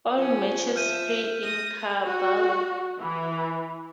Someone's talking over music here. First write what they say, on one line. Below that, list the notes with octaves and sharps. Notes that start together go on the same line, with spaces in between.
All matches played in Karbala.
F3 C#4
E5 F6 G6 D#7
D#6 A#6
F#4
E3